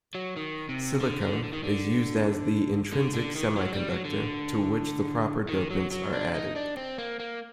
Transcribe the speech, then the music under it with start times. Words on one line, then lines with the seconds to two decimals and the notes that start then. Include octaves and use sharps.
Silicon is used as the intrinsic semiconductor, to which the proper dopants are added.
0.15 F#3
0.36 D#3
0.69 C3
1.00 D3
1.22 D3
1.44 D3
1.53 D#3
1.64 D3
2.93 D3
3.14 D3
3.35 D#3
3.56 F#3
3.73 G3
3.89 F#3
4.05 D3
5.49 D#3
5.70 F#3
5.91 F#3
6.13 D4
6.34 D#4
6.56 D4
6.77 C4
6.98 A#3
7.20 A#3